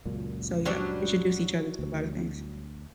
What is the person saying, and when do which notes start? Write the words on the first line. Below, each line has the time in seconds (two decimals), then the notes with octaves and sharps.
So, yeah, introduce each other to a lotta things.
0.06 C#2 F#2 A#2
0.65 F#3 G3 D4
1.79 D2